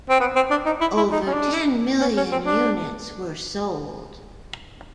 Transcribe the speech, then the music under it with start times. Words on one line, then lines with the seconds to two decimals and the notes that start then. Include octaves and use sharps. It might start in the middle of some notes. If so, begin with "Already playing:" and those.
Over ten million units were sold.
0.10 C4
0.20 B3
0.36 C4
0.51 D4
0.66 D#4
0.81 E4
0.97 E4
1.12 D#4
1.27 C#4
1.33 D4
2.01 C#4
2.17 C#4
2.32 C4
2.46 D4